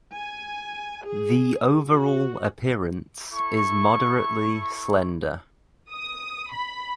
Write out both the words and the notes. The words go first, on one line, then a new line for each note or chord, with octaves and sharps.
The overall appearance is moderately slender.
G#5
G#4
F#4
E4 A4 C#6
D#6
B5